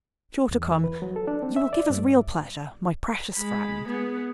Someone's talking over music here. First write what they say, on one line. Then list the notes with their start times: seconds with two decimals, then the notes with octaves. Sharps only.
Be sure to come, you will give us real pleasure, my precious friend.
0.51 E2
0.71 E3
0.84 B4
1.02 F#3
1.16 A4
1.27 D4
1.43 C4
1.56 E5
1.73 D5
1.90 G2
3.37 G#3 B5
3.89 B3 G#4